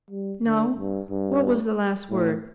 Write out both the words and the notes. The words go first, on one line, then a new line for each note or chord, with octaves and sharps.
No? What was the last word?
G3
D3
G2
G2
A2